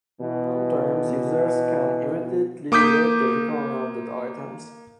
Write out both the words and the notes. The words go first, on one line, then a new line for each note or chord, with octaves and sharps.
Sometimes, users can immediately rate the recommended items.
B2 E3
A#3 D6 D#6 G6 B6